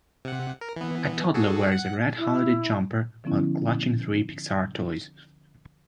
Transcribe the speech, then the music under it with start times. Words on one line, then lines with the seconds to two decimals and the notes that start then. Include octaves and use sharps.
A toddler wears a red holiday jumper while clutching three Pixar toys.
0.25 C3 F#5
0.61 A#4
0.76 E3 B3
1.34 F#4 G#4 A4
1.72 F#5
2.18 E4
3.24 D3 F3 B3 C#4 E4